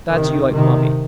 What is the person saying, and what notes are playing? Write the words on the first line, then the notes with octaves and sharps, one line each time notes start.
Glad you like the mummy.
C3 D#3
C3 D#3